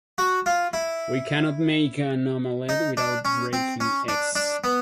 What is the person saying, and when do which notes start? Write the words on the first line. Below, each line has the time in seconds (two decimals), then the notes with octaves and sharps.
We cannot make an omelette without breaking eggs.
0.18 F#4
0.46 F4
0.73 E4
2.69 D#4
2.97 D4
3.25 C#4
3.53 C4
3.80 C#4
4.08 D4
4.35 D4
4.64 B3